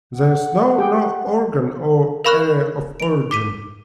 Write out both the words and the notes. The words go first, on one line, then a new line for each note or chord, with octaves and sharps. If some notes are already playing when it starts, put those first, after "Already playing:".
There is no known organ or area of origin.
F#5
G4 G#4 G5
A#4 F5 B5 C#6 F6 F#6
D7 F7
D6 B6 D#7